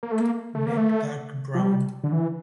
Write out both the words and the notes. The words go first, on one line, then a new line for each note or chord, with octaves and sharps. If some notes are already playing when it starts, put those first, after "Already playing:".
Neck dark brown.
A#3
A3
A#3
A3
A#3
A3
F3
G3
D3
E3